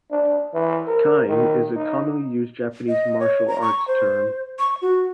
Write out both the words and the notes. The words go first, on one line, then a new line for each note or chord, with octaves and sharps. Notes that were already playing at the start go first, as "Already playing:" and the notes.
"Kime" is a commonly used Japanese martial arts term.
D4
E3
A#4
D#3
D#4
D#5
C#5
A#5
C#6
C5
C#6
F#4